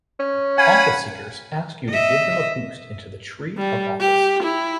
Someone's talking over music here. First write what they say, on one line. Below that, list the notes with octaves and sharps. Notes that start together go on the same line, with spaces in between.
Office-seekers ask you to give them a boost into the tree of office.
C#4
F5 F#5 G#5 B5
D#5 E5
G3
G4
E4